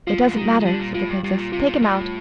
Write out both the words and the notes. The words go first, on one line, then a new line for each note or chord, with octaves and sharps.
'It doesn't matter!' said the Princess. 'Take him out!'
F3 F4
D3
D#3 G3
D#3
D3 G3
A#2
A2 F4
G2
G2 G3
A#2
C3 F4
A#2
A2 G3